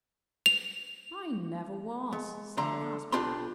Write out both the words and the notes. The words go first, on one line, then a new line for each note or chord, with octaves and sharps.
"I never was," said her husband.
F7
G#3
D3 A3 A#5 C6
B1 D4 F4 G4 B5 C6